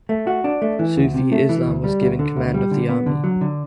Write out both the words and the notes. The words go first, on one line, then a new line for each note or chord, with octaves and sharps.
Sufi Eslam was given command of the army.
A3
F#4
D4
A3
E3
D2
C3
A3
E3
D2
G3
D2
D3
D2
G3
D3
B3
D3
F#3
D3